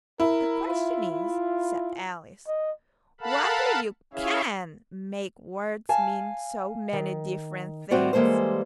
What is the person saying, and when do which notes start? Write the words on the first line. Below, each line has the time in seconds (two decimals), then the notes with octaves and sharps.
'The question is,' said Alice, 'whether you CAN make words mean so many different things.'
0.20 E4 A#4
0.67 F4
1.11 F4
2.47 D#5
3.21 A4 A#4 F5 F#5 A5 B5
4.13 C#4 E4 G#4 C#5 E5 F5
5.89 F5 G#5 A5
6.93 D#3
7.91 A2 G3 C4 F#4 C5 D5
8.13 E3 G3 G#3 A#3 A4 C5